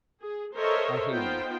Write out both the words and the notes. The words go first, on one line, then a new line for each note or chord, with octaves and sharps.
I hate him!
G#4
A4 A#4 C5 C#5 D#5 E5
B3 D#4 F4 C5 G5